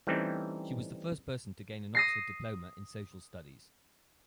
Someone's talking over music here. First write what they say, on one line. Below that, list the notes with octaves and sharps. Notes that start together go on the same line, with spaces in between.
She was the first person to gain an Oxford diploma in social studies.
E3 G3 A3 C4 C#4 D#4
D#6 A#6 C7